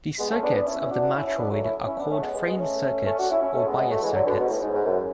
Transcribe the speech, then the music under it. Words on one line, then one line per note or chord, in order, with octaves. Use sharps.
The circuits of the matroid are called frame circuits or bias circuits.
G#3 B3
A3 C#4
B3 D4
B3 D4
C#4 E4
D4 F#4
C#4 E4
C#4 E4
B3 D4
F#3 A3
C#4 E4
C#4 E4
B3 D4
A3 C#4
G#3 B3
G#3 B3
G#3 B3
A3 C#4
A3 C#4
D4 F#4
C#4 E4
C#4 E4
A3 C#4
G#3 B3
G#3 B3
F#3 A3
E3 G#3
D3 F#3
B2 D3
B2
G#2
A2
G#2
G#2
F#2